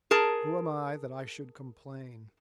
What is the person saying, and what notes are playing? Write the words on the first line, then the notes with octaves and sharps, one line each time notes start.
Who am I that I should complain?
G#4 A#4 A5